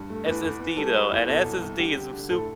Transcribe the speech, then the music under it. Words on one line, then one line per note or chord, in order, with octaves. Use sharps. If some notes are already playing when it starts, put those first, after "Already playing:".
SSD, though, an SSD is a soup
Already playing: G2
A3
E2 B4
E2
E2
G3 A4
G3 B4
E2
B2 A4
C2
C2
D3 G4
D3
D3
A2 A4